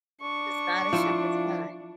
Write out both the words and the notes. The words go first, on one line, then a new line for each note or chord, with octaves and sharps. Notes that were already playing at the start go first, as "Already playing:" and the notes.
It's not a shepherd's pie.
D4 C#6
F3 E4 F4